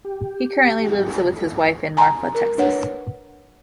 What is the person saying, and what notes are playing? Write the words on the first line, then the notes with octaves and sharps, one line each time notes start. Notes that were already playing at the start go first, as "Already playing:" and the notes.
He currently lives with his wife in Marfa, Texas.
G4
G#5 A#5 C6
A#4
D4 B4 C#5 F#5